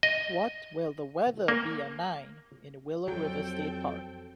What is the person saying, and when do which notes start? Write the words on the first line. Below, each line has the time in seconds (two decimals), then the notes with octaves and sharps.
What will the weather be a nine in Willow River State Park?
0.03 D#5
1.48 A#3
3.08 F2 F#3 C4 A4 G5